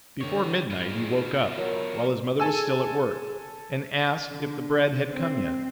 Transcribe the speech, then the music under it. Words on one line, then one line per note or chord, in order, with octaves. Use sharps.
Before midnight he woke up, while his mother was still at work, and asked if the bread had come yet.
D3 G4 C#5
G#2 B3 F4
F#3 A#4 E5
G#4 A4 G#5 E6
D3
C4